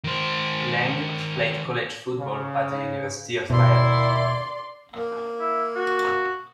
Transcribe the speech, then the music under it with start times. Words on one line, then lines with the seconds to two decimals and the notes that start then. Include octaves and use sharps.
Lang played college football at the University of Miami.
0.04 D#3 C5
2.19 C#3
3.50 D#2 B2 E4 D5 C6
4.94 A#3
5.40 E4
5.76 F#4